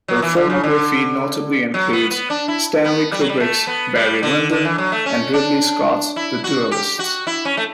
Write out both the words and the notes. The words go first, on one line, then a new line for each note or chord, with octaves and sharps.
Her filmography notably includes Stanley Kubrick's "Barry Lyndon" and Ridley Scott's "The Duellists".
F#3
E3
D3
C#3
D3
F#3
B3
B3
D4
E4
B3
G3
F#3
G3
A3
B3
G3
D3
D3
E3
F#3
A3
C#4
D4
E4
F#4
G4
F#4
E4
C#4
A3